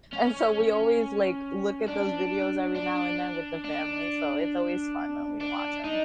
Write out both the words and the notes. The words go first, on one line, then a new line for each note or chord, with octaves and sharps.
and so we always, like, look at those videos every now and then with the family, so it's always fun when we watch 'em.
C#4
D4
D4
D4
D4
D#4